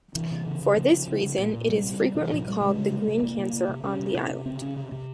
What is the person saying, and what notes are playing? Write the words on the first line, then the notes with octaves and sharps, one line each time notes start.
For this reason, it is frequently called the "green cancer" on the island.
C3 E3
C3
C#3
C#3
C#3 F3
C#3
C#3
C#3
A#2
A#2
C3 G3
C3
C3
C3
E3
A#2 F3
A#2 G3
C#3 G#3
C#3
C3
C3
G#3
C3 A#3
C3
C3
C3
C3 C#4
C3
C3
C3
C#3 C4
C#3 C#4
C3
C3